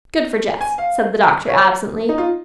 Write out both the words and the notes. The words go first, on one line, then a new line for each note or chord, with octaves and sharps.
"Good for Jess," said the doctor absently.
G#5
F5
C#5
D#4
F4